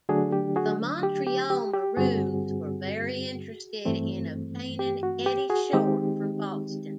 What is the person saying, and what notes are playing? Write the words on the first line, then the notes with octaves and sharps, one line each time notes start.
The Montreal Maroons were very interested in obtaining Eddie Shore from Boston.
D3 F#3 A3 D4 F#4 G#4
G4
F#4 G#4
G4
G4
G4
G4
G2 D3 G3 C4 F#4 G#4
G2 E3 A3 C4
G4
F#4
G4
F#4 G#4
D#3 G#3 C4 D#4 G4